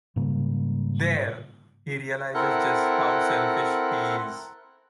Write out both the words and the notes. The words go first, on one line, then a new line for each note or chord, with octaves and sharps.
There, he realizes just how selfish he is.
G#2 C#3 G3 A#3
C4 E4 A4 A#4 F#5 F#6